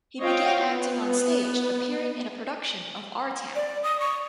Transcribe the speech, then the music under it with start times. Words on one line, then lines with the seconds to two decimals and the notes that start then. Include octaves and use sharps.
He began acting on stage, appearing in a production of "Our Town".
0.20 C4 F4 C#5 D#5 F5 G5
0.62 B3
3.55 D5
3.83 D#6
4.00 C#6